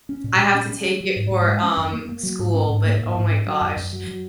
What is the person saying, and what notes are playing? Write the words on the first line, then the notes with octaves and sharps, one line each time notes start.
I have to take it for, um, school, but, oh my gosh,
C#4
A#2
A#2
C#4
C#4
F#3
F#3
G#2
G#2
G#3
C#4
F#2
A#3
A#3
F#3
G#2
C#4
G#2
A#3
G#2
G#2
C#4
F#3
F#2
F#2
F#3
F#3